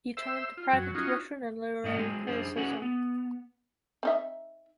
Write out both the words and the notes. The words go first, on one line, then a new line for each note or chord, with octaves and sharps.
He turned to private tuition and literary criticism.
C5 E5 E6
F4
F#2 F#3
C#4 D#4 F4 F#4
G#2 A#3 D4 D#5 F#5
F#3 G#3 C4 G4 G#4
F#2 E3 D4 G#4 C5
C#4 F#4 G#4 B4 F#5
B3
C4 D#4 E5